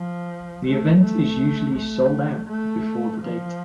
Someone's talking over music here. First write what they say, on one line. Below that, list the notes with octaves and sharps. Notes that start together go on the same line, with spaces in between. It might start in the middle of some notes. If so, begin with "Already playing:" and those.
The event is usually "sold out" before the date.
Already playing: F3
A3
A3
A3
A3
F3